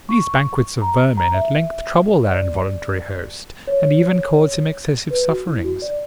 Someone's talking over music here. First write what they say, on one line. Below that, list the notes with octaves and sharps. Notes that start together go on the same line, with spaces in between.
These banquets of vermin at length trouble their involuntary host and even cause him excessive sufferings.
C#6
A#5
A#5
E5
D5
C#5
B4
F#4
E4
F#4
D5